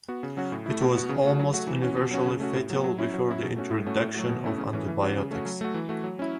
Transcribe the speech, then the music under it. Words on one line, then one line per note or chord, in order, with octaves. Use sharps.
It was almost universally fatal before the introduction of antibiotics.
B3 F#4
C#3
F#3 C#4 F#4
A2
A3 E4
B2
B3 F#4
C#3
A3 F#4
F#3
A3 F#4
E3
C#4 F#4
B2
F#3 C#4 F#4
C#3
A3 C#4 F#4
A2
F#3 B3
F#3
C#4 E4
F#3
C#4 E4
B2
A3 C#4 F#4
A2
A3 C#4 F#4
A2
F#3 A3 F#4
B2
A3 C#4 E4
C#3
E3 A3 C#4
E3
C#4 F#4
C#3
A3 C#4 F#4
F#3
A3 F#4
E3
A3 F#4
F#3
C#4 E4